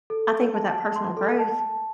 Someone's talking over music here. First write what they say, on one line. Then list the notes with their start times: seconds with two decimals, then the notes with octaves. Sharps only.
I think with that personal growth,
0.10 A4
0.32 A4
0.54 A5
0.74 A5
0.96 C6
1.17 A4
1.39 A5
1.59 A5